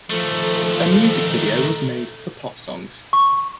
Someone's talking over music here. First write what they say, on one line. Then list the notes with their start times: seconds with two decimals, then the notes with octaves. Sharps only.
A music video was made for "Pop Songs".
0.10 D#3 F3 A3 A4
3.13 C#6